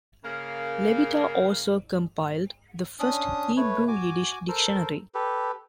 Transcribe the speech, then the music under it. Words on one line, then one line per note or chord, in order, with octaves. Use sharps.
Levita also compiled the first Hebrew-Yiddish dictionary.
C#3 A#3
C#4 D4 D#6
A3 B4 C#5
F#4 G#5 D6
A4 A#4 C5
G4 A4 B4